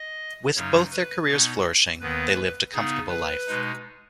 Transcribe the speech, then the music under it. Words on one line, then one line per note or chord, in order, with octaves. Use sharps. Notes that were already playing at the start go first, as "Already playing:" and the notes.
With both their careers flourishing they lived a comfortable life.
Already playing: D#5
F#2 C#3 F#3 D#4 C#5
B4
B2 B3 D#4 C#5
D#2 D#3 B3 B4
C#3 B3 D#4 G#4
B4
B2 G#3 D#4